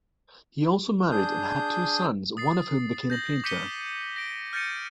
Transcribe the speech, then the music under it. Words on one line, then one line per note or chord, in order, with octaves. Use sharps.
He also married and had two sons, one of whom became a painter.
D4 G#4 D#6 G6
D#6 A6 C7
G6 A#6 F#7
D6 G6 B6 C#7 D#7 G7
A#6 D7
F6 G6 A6 A#6 C#7 D#7